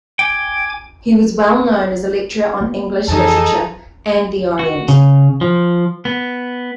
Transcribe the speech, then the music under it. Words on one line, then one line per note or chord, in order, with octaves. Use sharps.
He was well known as a lecturer on English literature and the Orient.
G5 G#5 D6 G#6
A#3 B3
F2 E3 D#4 G#4 A4 A5
F#4
C#3
F3
B3